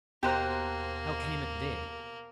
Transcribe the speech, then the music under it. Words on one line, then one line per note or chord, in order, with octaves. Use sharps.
"How came it there?"
D#2 B2 A#3 G4 C5 A#5 F#6